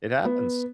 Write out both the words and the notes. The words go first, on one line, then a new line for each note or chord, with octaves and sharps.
It happens.
B3